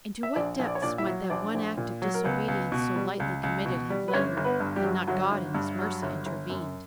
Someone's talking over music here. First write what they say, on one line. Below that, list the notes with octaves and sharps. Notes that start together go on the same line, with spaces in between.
Into what depths might that one act of disobedience so lightly committed have led her had not God in His mercy intervened?
E5
A#1 D4 D5
A#1
D5
C#5
A#2 D4 D5
E4 E5
F#3
A#1 D4 D5
A#1
A#2
F#3
A#4
C#2 B3 B4
C#2
B2
G3
C#2
C#2
B2
G3
B4
G1 C#4 C#5
G1
B3 B4
G2
G3 G4
F#3
G1 F#3 F#4
G1
G2
F#3
G1
G1
F#2